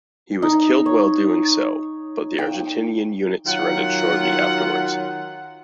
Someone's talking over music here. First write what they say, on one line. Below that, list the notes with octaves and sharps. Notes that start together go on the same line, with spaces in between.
He was killed while doing so but the Argentinian unit surrendered shortly afterwards.
D#4
C#5
G5
D#3 F#3 F4 F#5